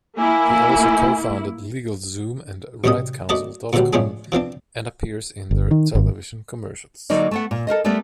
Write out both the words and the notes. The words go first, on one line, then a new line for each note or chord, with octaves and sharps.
He also cofounded LegalZoom and RightCounsel dot com and appears in their television commercials.
A#3 E4 G#5
A1 F#2 C3 G3 D#5 D#6
F#2 A3 D5 D#5 A5
A#2 D3 E3 F#3 G3
A2 F3 G#3 C#4 D4 G#4
E3 F3 C4 D4
G1
D#3
G#1
D3 F#3 A#3 D#4 D5
A3 B3 F#5
A#2
A4 A#4 C5 D#5
G3 A3 B3 A#4 D5